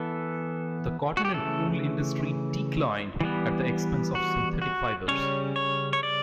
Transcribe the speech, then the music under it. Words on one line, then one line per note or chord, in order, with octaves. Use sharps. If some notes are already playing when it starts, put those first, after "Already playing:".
The cotton and wool industry declined at the expense of synthetic fibers.
Already playing: E3 B3 A4
F#4
G4
C#3 E3 A3 A4
E3 G3 B3
F#4
F#4
C#3 G3 C#4 C#5
C#5
C#5
D5